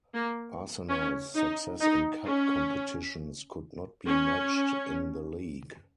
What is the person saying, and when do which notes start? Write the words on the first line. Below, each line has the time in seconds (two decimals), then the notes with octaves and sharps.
Arsenal's success in cup competitions could not be matched in the league.
0.14 A#3
0.89 C#4
1.35 D#4
1.81 D#4
2.26 C#4
4.07 C#4